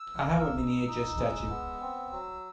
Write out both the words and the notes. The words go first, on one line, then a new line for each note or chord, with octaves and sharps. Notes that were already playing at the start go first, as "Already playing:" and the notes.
I have a miniature statue.
Already playing: E6
A#3
E6
D#4
D#4
G#3
B3
C4
F#3